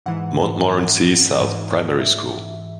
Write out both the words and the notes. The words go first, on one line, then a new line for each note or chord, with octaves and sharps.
Montmorency South Primary School.
G#2 E3 F#5
G#2 E3
E5